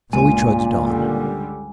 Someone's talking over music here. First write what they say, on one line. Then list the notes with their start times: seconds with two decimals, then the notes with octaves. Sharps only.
So he trudged on.
0.13 C#2 G2 A#2 C#3 G#3 G#5
0.78 C#2 D3 G3